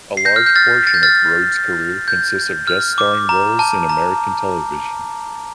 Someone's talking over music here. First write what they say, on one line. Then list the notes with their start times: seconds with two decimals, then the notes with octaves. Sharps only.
A large portion of Rhodes' career consists of guest starring roles in American television.
0.17 C7
0.25 G6 A#6
0.36 F6
0.46 G6
0.56 F6 A6
0.87 A6
0.94 G6
1.03 F6 A6
2.08 G6
2.68 F6
2.98 D6
3.29 A#5
3.59 A5
3.89 A#5